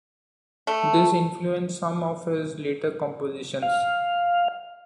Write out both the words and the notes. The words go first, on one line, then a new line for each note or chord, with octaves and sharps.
This influenced some of his later compositions.
A3
F5